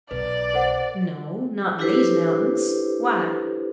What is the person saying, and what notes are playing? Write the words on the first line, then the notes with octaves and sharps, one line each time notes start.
"No--not in THESE mountains--why?"
B1 B4 D5
A#4 C5 F#5
D4 E4 G4 A4 B4 C5